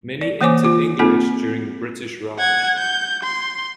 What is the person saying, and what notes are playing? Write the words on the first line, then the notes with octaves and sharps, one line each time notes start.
Many entered English during the British Raj.
D5
E3 A#3 C5 C#5 G#5 D6
F4
A#3 C4 D#4 F4 A4
F#5 G#6
G6
C6